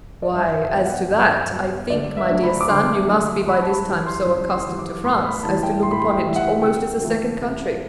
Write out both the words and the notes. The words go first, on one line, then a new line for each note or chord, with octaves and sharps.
"Why, as to that--I think, my dear son, you must be by this time so accustomed to France as to look upon it almost as a second country."
D5
G2 E5
E5
F#3 B3 G5
F#5
G2 E5
F#3 B3
D3 D5
E5
F#3 A3 D4
B5
D6
D3 C6
F#3 A3 D4
F#2 B5
A5
B5
E3 G3
C6
F#2
C6
E3 G3
D6
A2 C6
B5
B5
E3 G3 A5
G5
A2 C6
B5
C6
G5
E3 G3
E5
F#5
C3 G5
E3 A3 E4
C3